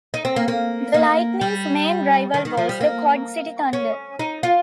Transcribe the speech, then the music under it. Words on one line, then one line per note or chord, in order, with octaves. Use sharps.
The Lightning's main rival was the Quad City Thunder.
D#4
C4
A#3
A#3
A#3
G3
D#3
D#3
F3
G3
A#3
C#4
D#4
F4